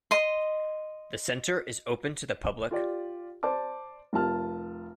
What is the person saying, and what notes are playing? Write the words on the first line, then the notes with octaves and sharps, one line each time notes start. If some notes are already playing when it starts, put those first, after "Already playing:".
The center is open to the public.
D#5 C6
F4 G4 D5
C5 D5 A5 D6
F1 F4 A#4 A5 F6